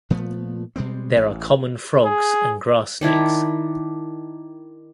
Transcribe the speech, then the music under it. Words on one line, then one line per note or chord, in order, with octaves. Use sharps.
There are common frogs and grass snakes.
A#2 F3 A3 B3
B2 G3 G#3 C4
A1
G#4
D#3 D4 E4 A#5